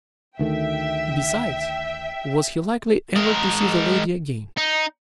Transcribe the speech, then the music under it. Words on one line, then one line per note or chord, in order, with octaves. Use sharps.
Besides, was he likely ever to see the lady again?
D2 D#3 A3 E5 G5
G#3 A#4
D#4